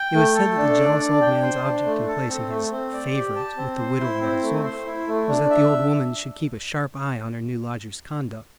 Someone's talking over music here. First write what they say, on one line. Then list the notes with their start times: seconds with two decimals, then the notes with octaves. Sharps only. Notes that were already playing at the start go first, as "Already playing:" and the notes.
It was said that the jealous old man's object in placing his "favorite" with the widow Morozov was that the old woman should keep a sharp eye on her new lodger's conduct.
Already playing: G5
0.14 A3
0.35 A4
0.57 D4
0.78 D5
1.00 D4
1.21 G5
1.42 C5
1.64 D4
1.86 A3
2.07 A4
2.28 C4
2.50 A3
2.71 C4
2.93 D5
3.15 G4
3.36 A5
3.57 C4
3.79 C5
4.00 E4
4.21 C4
4.42 A3
4.64 C5
4.86 E4
5.07 A3
5.28 D4
5.50 E5